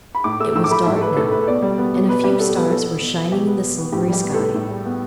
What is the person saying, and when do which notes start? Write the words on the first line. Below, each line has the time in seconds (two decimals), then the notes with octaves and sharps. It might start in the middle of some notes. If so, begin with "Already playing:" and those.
It was dark now, and a few stars were shining in the silvery sky.
0.15 B5
0.24 A2 D6
0.40 A3 E6
0.55 A2 E6
0.64 D6
0.71 A3 B5
0.86 A2 E5
0.96 A4
1.01 A3 B4
1.17 A2 A4
1.32 A3 B4
1.48 B2 D5
1.62 G3
1.78 B3
1.93 B2
2.09 B2 B4
2.23 G3 G4
2.39 B3 A4
2.55 B2 B4
2.70 B2 A4
2.85 B3
3.01 B2
3.16 B3
3.31 B2 G4
3.47 B3
3.62 B2
3.77 B3
3.92 A2 G4
4.08 G3
4.13 G4
4.24 B3 B4
4.34 A2 A4
4.54 A2
4.69 G3
4.85 B3